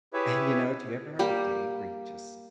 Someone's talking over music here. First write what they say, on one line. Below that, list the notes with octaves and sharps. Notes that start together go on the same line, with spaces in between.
And you know, do you ever have a day where you just
E4 G4 G#4 B4 C#5 E5
G3 A#3 G4